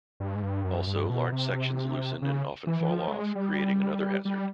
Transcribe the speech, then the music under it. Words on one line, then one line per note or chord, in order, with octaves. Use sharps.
Also, large sections loosen and often fall off, creating another hazard.
G2
G#2
G2
F#2
G2
B2
C3
C#3
E3
E3
F3
A3
G#3
G3
G3